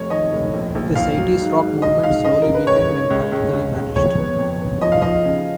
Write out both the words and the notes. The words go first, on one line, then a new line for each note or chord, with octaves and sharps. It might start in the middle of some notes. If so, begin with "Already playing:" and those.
This eighties rock movement slowly weakened and practically vanished.
Already playing: F1 F2 C#5
D#3 D#5
F1
A#1
A#1
A#1 F5
F#3
G#2
G#2
G#2 D#5
G#2 F5
C#3 D#5
C#3 A#4
B4
C#2 C#5
C#3
C#2
C#2
C#2
C#2
F2 C#5
B3
F2
B3
F3 D#5
F5
F3 D#5
C#3